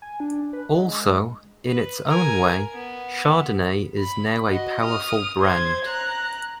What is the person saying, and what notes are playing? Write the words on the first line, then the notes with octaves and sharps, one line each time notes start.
Also, in its own way, Chardonnay is now a powerful brand.
G#5
D4
B4
G#3
B4
A#4 G#5
B3
B5
F#4 D#5
D#6 F6
C5 G#6
A#5 F#6